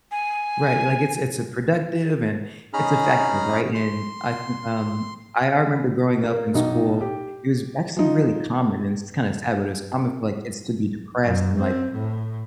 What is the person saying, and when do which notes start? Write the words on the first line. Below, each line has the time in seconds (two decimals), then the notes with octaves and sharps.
Right. Like, it's it's productive and it's effective, right? And I think, um, I I remember growing up in school, it was actually really common, and this is kinda sad, but it was common for, like, kids to be depressed and, like,
0.11 G#5
2.73 C#4 D#4 G#4 A#5 B5 F6
3.75 C6
6.23 A#3
6.54 B1 D#4
7.01 G4
7.97 F3 D#4
11.23 F#2
11.59 C4
11.92 A2